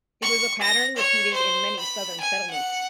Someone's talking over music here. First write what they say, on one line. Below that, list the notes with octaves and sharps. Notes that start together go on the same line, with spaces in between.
It was a pattern repeated in many Southern settlements.
C#6
A#6
C#5
C5
B5
G#5
F#5